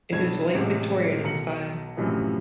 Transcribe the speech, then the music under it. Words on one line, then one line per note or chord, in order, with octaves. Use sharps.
It is Late Victorian in style.
B1 G2 C#5 G#6
A1 C3 G#3
B1 A#5 C#7 F#7
F#2 A2 C3 E3 F3